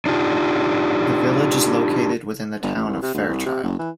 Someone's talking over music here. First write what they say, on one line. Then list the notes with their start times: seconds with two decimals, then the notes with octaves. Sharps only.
The village is located within the Town of Fairchild.
0.06 D4 D#4 F4 G4
2.63 G1
2.76 A1
2.88 C2
3.02 C3
3.14 D2
3.28 C2
3.46 C3
3.63 F#1
3.79 E3